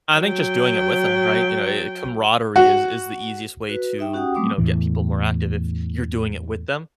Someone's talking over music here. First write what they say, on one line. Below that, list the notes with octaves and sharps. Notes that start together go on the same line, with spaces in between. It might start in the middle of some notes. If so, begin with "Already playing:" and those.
I think just doing it with ‘em, right? You know, eh eh, camaraderie is is the easiest way to, you know, get people more active if you're doing it with them,
F#3 G5
F#4
F#4 B4
D#4 E5 G5
C#4 F#4 G4 F#5 G5 D#6
F#3 G3 A3 C4 D6 D#6
E2 A2 E3